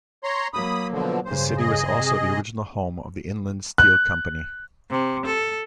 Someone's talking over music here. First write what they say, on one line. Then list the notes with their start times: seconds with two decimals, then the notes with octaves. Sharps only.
The city was also the original home of the Inland Steel Company.
0.24 C#5 A#5 C6
0.53 F#3 A#3 B5 D#6
0.92 B2 D3 F3
1.25 G2 C#3 C5
1.57 G#4 D#5
1.97 C3
3.78 F#6
4.91 C3
5.26 A4